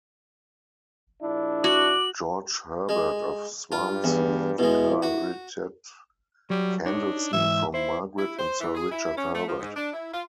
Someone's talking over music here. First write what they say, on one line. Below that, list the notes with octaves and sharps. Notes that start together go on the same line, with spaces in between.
George Herbert of Swansea inherited Candleston from Margaret and Sir Richard Herbert.
A#1 D4 E4
F#4 D6 F#7
G#3
G2 F4
E2
B2 G#3 E4
F#4
F#3 G3
D4 D#4 C#5
G#2 E3 E5
E4 C5
E4
C5
E3
G#4
E4
C#4
A3
F3
G#2
D4
E4
F4